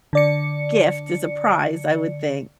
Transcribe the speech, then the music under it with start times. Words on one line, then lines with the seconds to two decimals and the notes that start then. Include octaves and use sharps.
gift, is a prize, I would think,
0.13 D3 D5 C#7